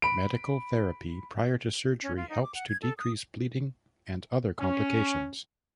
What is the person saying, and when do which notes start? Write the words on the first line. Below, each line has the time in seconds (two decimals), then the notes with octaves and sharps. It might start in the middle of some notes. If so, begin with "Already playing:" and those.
Medical therapy prior to surgery helps to decrease bleeding and other complications.
0.02 B5 D7
2.03 C#4
2.16 F4
2.29 D#4
2.43 D6
2.54 F#5
2.69 G#6
2.82 A4
2.98 D#6
4.59 C#4